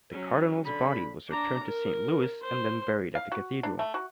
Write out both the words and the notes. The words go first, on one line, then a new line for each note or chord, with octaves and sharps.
The Cardinal's body was returned to Saint Louis and then buried at the Cathedral.
F#3 C#4
D3 B5
D4 A#5
A#4
C5
F5
F#4
D4
A3
F#4